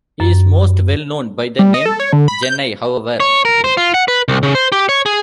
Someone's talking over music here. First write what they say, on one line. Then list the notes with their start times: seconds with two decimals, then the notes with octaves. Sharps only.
He is most well known by the name "Gennai", however.
0.20 F#2
1.59 G3
1.74 D#5
1.85 A4
2.00 C#5
2.13 D3
2.28 B5
2.43 G6
3.20 C#5
3.45 A#4
3.64 C5
3.77 F4
3.94 F#5
4.08 B4
4.28 C2
4.43 C#3
4.55 C5
4.72 G4
4.89 C#5
5.06 G#4